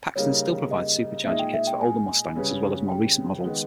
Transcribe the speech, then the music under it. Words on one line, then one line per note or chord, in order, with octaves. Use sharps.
Paxton still provides supercharger kits for older Mustangs as well as more recent models.
C#3 G3 A#3 D#4 A#4 C#5
D#5
A#2 G#3 D#4 G#4 D#5 E5
G5
E5
G5
G#5
C#3 G3 C#4 G#4 B4
G5
D#3 G#3 B3